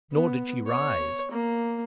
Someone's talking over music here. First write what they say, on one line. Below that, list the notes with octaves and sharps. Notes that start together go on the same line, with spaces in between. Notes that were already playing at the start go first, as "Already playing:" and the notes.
Nor did she rise.
B3
C#5
A#3